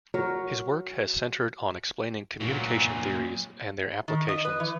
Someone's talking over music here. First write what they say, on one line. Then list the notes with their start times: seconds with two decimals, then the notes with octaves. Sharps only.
His work has centred on explaining communication theories and their applications.
0.14 F#3 A#4 C#5
2.40 A#2 F#3
4.08 D#3
4.28 D#5
4.45 B4
4.60 E3